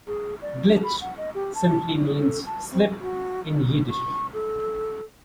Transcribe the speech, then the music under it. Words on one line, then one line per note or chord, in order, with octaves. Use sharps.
"Glitch" simply means 'slip' in Yiddish.
G#4
D5
D4
B5
F#5
D#5
G4
A5
G#4
A4
A5
C4
F#4
C#6
A4